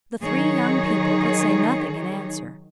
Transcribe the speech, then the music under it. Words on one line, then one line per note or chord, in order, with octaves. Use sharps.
The three young people could say nothing in answer.
D#3 F#3 D#4 G#4 C#5